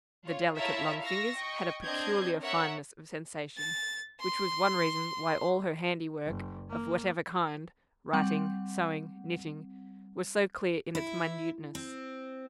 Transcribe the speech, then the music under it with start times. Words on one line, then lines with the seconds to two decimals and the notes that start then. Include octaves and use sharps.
The delicate long fingers had a peculiar fineness of sensation, which was one reason why all her handiwork, of whatever kind--writing, sewing, knitting--was so clear in its minuteness.
0.25 F4 C#5
0.56 E4 F4 A#4 C#5 E5 A5
1.02 F5 C#6 E6 A#6
1.37 D#5 G5 C#6
1.84 C4 D4 D#5 G6 G#6
2.41 A#4 C#5 E5 F#5
3.57 A6
4.20 C6
6.26 F#1
6.70 A#3
8.13 G3 C4 F#5
10.95 E4
11.75 C4